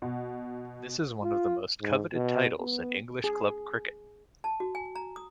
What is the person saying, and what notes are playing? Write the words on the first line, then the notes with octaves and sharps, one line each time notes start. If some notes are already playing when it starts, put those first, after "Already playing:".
This is one of the most coveted titles in English club cricket.
B2
F4
G#2
B2
B3
G#4
A5
F#4
G#5
A#5
D#6